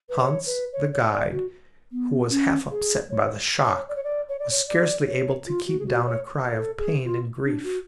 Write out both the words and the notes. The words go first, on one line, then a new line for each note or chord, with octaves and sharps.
Hans, the guide, who was half upset by the shock, was scarcely able to keep down a cry of pain and grief.
B4
C#5
B4
C#5
C#5
D5
F#4
B3
C#4
G#4
C#5
C#5
D5
C#5
D5
C#5
D5
C#5
D5
C#5
F4
F#4
G#4
F#4
C#5
A4
G#4
F4
D4
F#4